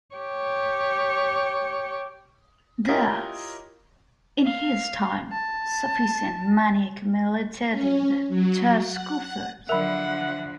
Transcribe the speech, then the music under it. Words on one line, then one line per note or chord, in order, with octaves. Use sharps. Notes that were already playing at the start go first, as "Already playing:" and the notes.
Thus, in his time, sufficient money accumulated in the Church coffers.
G4 C#5
E4 F4 G4 A#4 C#5 D#5
F5
A5
C#4
F#3
F#5
D3 F3 F#3 A#4 E5 F#5 B5